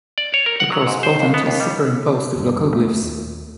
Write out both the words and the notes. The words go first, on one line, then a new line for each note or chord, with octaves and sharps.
The cross potent is superimposed with local glyphs.
D5
C#5
A#4
F#5
F#3
G#2
C5
D#2
B3
D#2
G3
D#1 G2
F2 A3
D#2